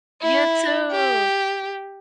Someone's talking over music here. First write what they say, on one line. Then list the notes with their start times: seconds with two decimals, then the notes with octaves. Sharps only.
You too.
0.22 E4
0.92 G4